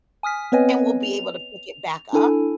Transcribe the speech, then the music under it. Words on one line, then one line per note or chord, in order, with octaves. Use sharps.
and we'll be able to pick it back up.
G#5 D#6 F6 B6
B3 C4 B4 C#5 D#5 G#5
F7
D4 E4 A4 G#5